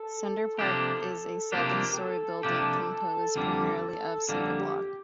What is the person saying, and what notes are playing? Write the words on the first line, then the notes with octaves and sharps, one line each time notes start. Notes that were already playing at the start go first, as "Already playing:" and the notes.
Center Park is a seven-story building, composed primarily of cinder block.
Already playing: A4
C3 F3 A#3 D4 G4
C3 F3 A#3 D4 G4 A#4
G4
A4
C3 F3 A#3 D4 G4
F2 D3 G3 A#3
F2 D3 G3 A#3 A4
G4